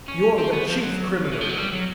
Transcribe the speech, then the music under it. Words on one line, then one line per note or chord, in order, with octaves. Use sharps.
You're the chief criminal!
C#4
C4
B3
F3
F#3
D#3
E3
F3
F#3
G3
F#3